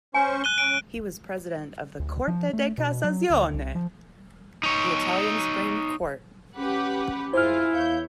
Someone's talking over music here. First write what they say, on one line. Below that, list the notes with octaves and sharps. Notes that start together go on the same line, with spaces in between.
He was president of the Corte di Cassazione, the Italian Supreme Court.
C#4 C5 G#5 C#6
F#6 D#7 G7
C#4 D7
D2
F3
A3
B2
F#3
D2
C2
F3
D#4 C#5
C#4 G4 B4 F#5
F#2 E4 F4 G#4 C5 F6
E2 C#5 F5 G6